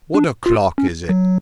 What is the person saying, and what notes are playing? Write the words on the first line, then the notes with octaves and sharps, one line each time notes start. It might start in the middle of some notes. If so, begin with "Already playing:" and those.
"What o'clock is it?"
D4
F4
C#4
F#3